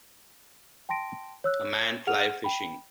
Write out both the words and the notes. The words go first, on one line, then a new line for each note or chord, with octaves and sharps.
A man fly fishing.
G5 A5 C6 A#6 D7
C#5 E6 F#6
G#4 F#5 F6 F7
G5 B5